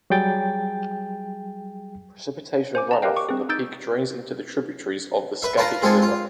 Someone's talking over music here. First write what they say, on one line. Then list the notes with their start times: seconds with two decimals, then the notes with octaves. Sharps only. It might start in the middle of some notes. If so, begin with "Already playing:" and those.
Precipitation runoff from the peak drains into tributaries of the Skagit River.
0.10 F#3 G3 G#4 G5 A6
2.75 C5 G#5 D6
2.91 A5 A#5
3.02 G4 A#4 B4 D#5 F5 G5
3.17 C#6 D6
3.29 C4 G#4
3.49 D#4 D#6 E6 G6 A6 D7
5.42 B4 E5
5.57 F4 B4 A5 A#5 C6
5.82 G#3 C4 F4 G#4 A4
6.02 F4